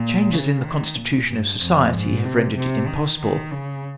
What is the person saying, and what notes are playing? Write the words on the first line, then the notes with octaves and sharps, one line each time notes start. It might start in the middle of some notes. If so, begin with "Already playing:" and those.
Changes in the constitution of society have rendered it impossible.
Already playing: A#2
C#3
D#3
A#2
G2
F2
G#2
C3
C3
D#3
D#3
C#3